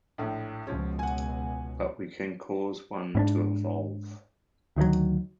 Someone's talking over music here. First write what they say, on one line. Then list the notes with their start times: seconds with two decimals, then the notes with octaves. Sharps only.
But we can cause one to evolve.
0.18 A#1 A2
0.67 C#2 B2 F3 C#4
0.99 F#5 G#5
3.15 G#2 C#4 D4
4.76 D2 D#3 E3 F#3